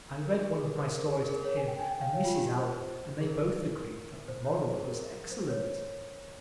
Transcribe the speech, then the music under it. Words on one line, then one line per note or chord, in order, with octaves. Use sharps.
I read one of my stories to him and Mrs. Allan and they both agreed that the moral was excellent.
A#4
G#4
G4
G#4
A#4
C5
A#4
G#4
A#4
G#4
A#4
C#5
G#5
G5
G#5
G5
F5
C#5
F4
G4
G4
C5
G#4
A#4
C5
C#5
C5
G#4
A#4
C5
C#5